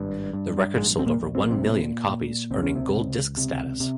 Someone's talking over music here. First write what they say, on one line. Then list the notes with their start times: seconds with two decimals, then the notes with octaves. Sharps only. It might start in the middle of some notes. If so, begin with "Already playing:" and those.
The record sold over one million copies, earning gold disc status.
Already playing: G#1 G2
0.33 G2
0.77 A#1 G#2 G#3
0.99 C4
1.06 A#2 A#3
1.20 A#1
1.35 C4
1.43 A#3
1.51 C3 C4
1.63 A#2
2.07 A#2
2.51 C#2 C4
2.63 C#4
2.75 C3 C4
2.93 C#2
3.37 C3
3.80 C3